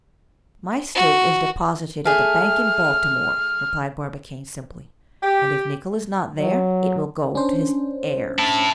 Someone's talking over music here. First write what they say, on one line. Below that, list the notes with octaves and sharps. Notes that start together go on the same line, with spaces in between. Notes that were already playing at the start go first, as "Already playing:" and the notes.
"My stake is deposited at the bank in Baltimore," replied Barbicane simply; "and if Nicholl is not there, it will go to his heirs."
F#4
A3 G#4 F6
G4
F#3
C#4 D4 C5
E4 A5